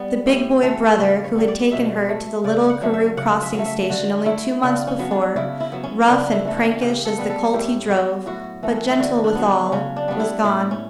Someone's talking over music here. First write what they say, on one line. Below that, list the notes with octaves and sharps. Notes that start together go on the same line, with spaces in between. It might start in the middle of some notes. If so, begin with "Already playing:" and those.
The big boy brother who had taken her to the little Carew Crossing station only two months before, rough and prankish as the colt he drove, but gentle withal, was gone.
Already playing: G3 B3
A2 G4
E3 A3 A4
C#3 B4
C#5
G3 B3
D5
B2 E5
A3
C#3 D5
F#5
F#3 A3
E5
C#3 F#5
E5
F#3 A3
E5
D3 F#4
A3 E4
C#3 D4
C#4
F#3 B3
D4
C#3 E4
E4
F#3 B3
C#4
C#3 D4
E4
E3 A3
F#4
C#3 G4
A4
G3 B3 B4
A4
A2 G4
F#3 B3 F#4
A2 F#4
E3 A3
E4
D3 F#4
D4
F#3 B3
D4
C#3 C#4
D4
G3 B3 D4
E4
A2 E4
C#4